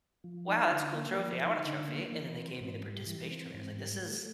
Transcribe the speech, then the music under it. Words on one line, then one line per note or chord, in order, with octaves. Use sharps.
"Wow, that's a cool trophy. I want a trophy." And then they gave me the participation trophy. I was like, "This is
F3
D#4
D3
A#3
F3
D#4
D3
A#3
E3
C4
G#2
G3
E3
C4
G#2
G3
A3